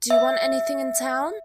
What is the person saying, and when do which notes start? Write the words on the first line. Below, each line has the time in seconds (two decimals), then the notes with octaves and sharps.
Do you want anything in town?
0.10 E5